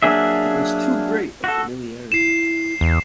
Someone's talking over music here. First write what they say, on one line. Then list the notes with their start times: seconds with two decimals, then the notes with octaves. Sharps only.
It was too great a familiarity.
0.02 F#3 A#3 D4 G#4 E5
1.44 F#4 A4
2.12 E4 C7 E7
2.81 E2